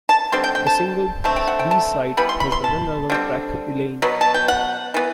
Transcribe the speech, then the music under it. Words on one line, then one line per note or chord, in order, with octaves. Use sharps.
The single's B-side was the non-album track "Elaine".
A5
D3 G3 C4 C6
G5
G5
A5
D3 A3 C4 A5
G5
F#5
G5
A5
E3 G3 B3 B5
C6
B5
C6
A5
D3 G3 C4
B2 F#3 B3
A5
G5
F#5
E3 B3